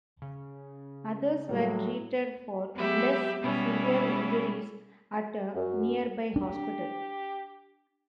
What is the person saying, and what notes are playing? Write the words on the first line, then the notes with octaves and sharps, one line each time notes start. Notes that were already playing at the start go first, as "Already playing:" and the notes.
Others were treated for less severe injuries at a nearby hospital.
C#3
A2 F#3 G3
F#3 G#3 B3 G4 E5 B5
B2 G3 B3 C#4 E4
F#2
D4 G4